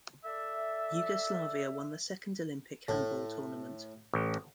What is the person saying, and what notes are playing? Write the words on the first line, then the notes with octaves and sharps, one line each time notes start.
Yugoslavia won the second Olympic handball tournament.
A4 D5 E5
A2
A1